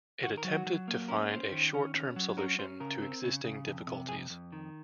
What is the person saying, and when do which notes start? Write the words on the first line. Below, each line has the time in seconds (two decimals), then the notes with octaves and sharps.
It attempted to find a "short-term solution to existing difficulties".
0.23 D#3 F#4
0.37 A#4
0.44 F#3
0.53 F#4
0.67 F#3
0.88 A#3
1.08 C#4 A#4
1.30 C#4 C5
1.52 D#3
1.74 C#4
1.95 C#4
2.16 F#3
2.37 C#4 A#4
2.58 C#4 C5
2.80 C#3 A#4
3.02 C4
3.24 C#3
3.44 C#3
3.66 F2
3.87 C3
4.08 F2 G#4
4.30 F2
4.52 D#3